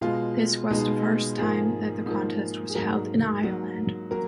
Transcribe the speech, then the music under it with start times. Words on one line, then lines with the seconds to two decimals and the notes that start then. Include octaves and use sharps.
This was the first time that the contest was held in Ireland.
0.01 B2 G#3 F4
0.70 B2 G#3 D#4
1.38 G#2 F3 A#3 G#4
2.06 G#2 F3 A#3
2.70 G#4
2.75 G#2 F#3 A#3 A#4
3.43 G#2 F#3 A#3
4.11 F#3 A#3 A#4